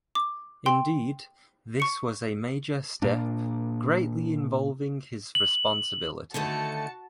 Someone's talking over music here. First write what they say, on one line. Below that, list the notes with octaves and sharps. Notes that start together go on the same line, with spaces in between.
Indeed, this was a major step, greatly involving his responsibility.
D6
G5 C6
C#6 C#7
A#2 A#3 D4
F#7
D3 D#3 A3 F#4 A5 C#7